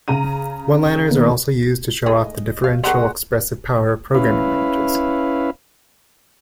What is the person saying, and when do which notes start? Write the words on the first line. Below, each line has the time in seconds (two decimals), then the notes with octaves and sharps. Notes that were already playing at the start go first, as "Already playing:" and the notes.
One-liners are also used to show off the differential expressive power of programming languages.
0.08 C#3 A#5 D#7
1.11 D#3 A#3 B3
2.06 D#3 G#3 A3 D#5
2.64 F5
2.84 G3 G#3 C4 A#4 F#5 C#6
4.14 C#4 E4 B4 F5